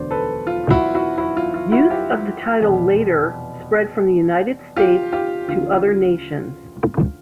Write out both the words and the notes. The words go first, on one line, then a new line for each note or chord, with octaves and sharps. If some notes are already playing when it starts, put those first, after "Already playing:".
Use of the title later spread from the United States to other nations.
Already playing: E1 D2 D3 C5 D5
A4 B4
F4
E4 F#4
E4 F#4
E4 F#4
F4
F4
E4 F#4
F4 G4
F1 E2 B2
F4 G4
F4 G4
D2 C#3 E3 F4